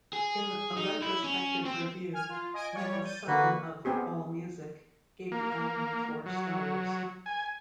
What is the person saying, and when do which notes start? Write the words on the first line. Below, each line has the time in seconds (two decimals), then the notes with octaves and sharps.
In a retrospective review, Michael Sutton of AllMusic gave the album four stars.
0.13 G#4
0.77 D#4
1.02 E4
1.24 C#4
1.65 C4
2.13 G#5 F6 G#6
2.29 F4
2.54 D#5 G#5 D7
2.73 G3 C#5 D5
3.04 G6 A6 D#7
3.27 D3 A#3 F#4 B4
3.85 B3 C4 G4 G#4
5.32 A#3
6.26 F#3
7.26 G#5